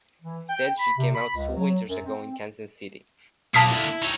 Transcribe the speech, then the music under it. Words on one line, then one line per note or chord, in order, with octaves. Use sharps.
Said she came out two winters ago in Kansas City.
E3
G5
B5
C3
B5
C#2
F#3
F#2
C4
B1 D3 A#3 A5 D#6 B6
E4
D#4 C#5